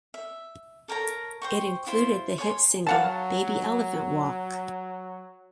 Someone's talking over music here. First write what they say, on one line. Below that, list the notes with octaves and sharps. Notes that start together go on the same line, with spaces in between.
It included the hit single "Baby Elephant Walk".
E5
A4 A#4 C#5 A#5
C5 G5 C#6
E4 F4 C5
C#5 D5 G#5 C6
F#3 F5 F#5 A5